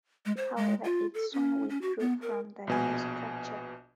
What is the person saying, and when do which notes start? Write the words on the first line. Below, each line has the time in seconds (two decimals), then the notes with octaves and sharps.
However it soon withdrew from the new structure.
0.26 G#3
0.37 C5
0.57 G#3
0.84 F4
1.14 A4
1.33 C#4
1.69 C#4
1.82 F#4
2.00 B3
2.22 A#4
2.67 A#1 B2 G#5